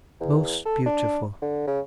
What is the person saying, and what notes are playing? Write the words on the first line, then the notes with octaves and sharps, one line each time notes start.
Most beautiful.
E2
A4
D4
D3
C#3